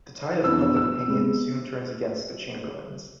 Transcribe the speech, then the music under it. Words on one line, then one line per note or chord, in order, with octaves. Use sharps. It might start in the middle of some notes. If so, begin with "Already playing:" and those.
The tide of public opinion soon turns against the Chamberlains.
F2 E3 B3 D4 E6
E6
C3 G#3 B3